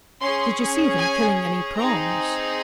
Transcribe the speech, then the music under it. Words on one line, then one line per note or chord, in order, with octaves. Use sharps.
"Did you see them killing any prawns?"
C#4 G#4 C6
G#5
C4 D#4 G#4 A#5